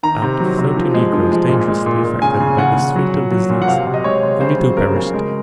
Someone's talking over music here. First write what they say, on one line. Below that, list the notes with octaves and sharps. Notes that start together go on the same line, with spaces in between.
Out of thirty negroes dangerously affected by this fatal disease, only two perished.
D#3 A#5
C3
F#3
C3
F3
G#3
F3
G#3
A#2
G#3
A#2
A#2
C#3 G#5
C#3
C#3 F#5
C#3
F#3
A#2
F#3
A#2
F#5
C3 F5
C3
D#5
G#3 C#5
C3
C#3 C5
F#3
C#3 A#4
C#3
G#3